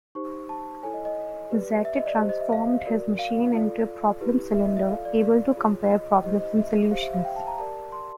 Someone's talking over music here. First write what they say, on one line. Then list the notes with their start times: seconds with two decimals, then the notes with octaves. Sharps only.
Zerte transformed this machine into a problem cylinder able to compare problems and solutions.
0.15 D#4 G4 C5 C#6
0.49 A5
0.83 E4 A4 C#5 G#5
0.94 D#5
1.05 D#5
1.50 G4 B4 D5
1.85 E5
1.96 D#5
2.06 D5
2.18 G4 C5 D#5
2.29 D#5
2.41 E5
2.53 F5
2.86 F#4 A#4 D5
3.19 F5
3.53 F4 A4 D5
4.21 E4 G4 B4
4.55 E5
4.66 D#5
4.77 E5
4.89 F4 A4 D5 F5
5.05 D5
5.22 D5
5.57 F4 G#4 C#5
5.90 D#5
6.24 E4 G4 C5 D#5
6.41 D#5
6.57 E5
6.91 G4 C5 F5
7.02 E5
7.14 F5
7.25 G5
7.36 A5
7.47 A#5
7.58 G4 A#4 D5 A5
7.92 C6